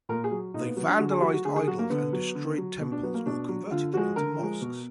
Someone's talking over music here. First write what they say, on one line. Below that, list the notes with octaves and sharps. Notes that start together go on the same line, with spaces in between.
They vandalized idols and destroyed temples or converted them into mosques.
A#2 A#4
G#4
F#3
A#2 D#4
B3
F#3 B3
D4
D3 F#4
G#4
F#3 F#4
F#4
D3 G#4
G#4
F#3 F#4
A#3
D3 B3
F#3
D3
F#3
B2
D4
F#3 B3
A#3
B2 D4
F#3
D3 F4
F3 G#3 F#4
D3 A#4
F3 G#3
B2